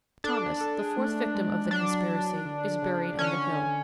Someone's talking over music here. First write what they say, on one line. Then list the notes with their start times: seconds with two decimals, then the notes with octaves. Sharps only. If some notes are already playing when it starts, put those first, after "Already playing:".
Thomas, the fourth victim of the conspiracy, is buried on the hill.
0.24 D4 A4
0.60 A4
0.79 G#4
0.97 A3
1.35 G#3
1.65 G#3
1.71 F#3 D4
2.45 D3
2.82 C#3
3.18 D3 C#4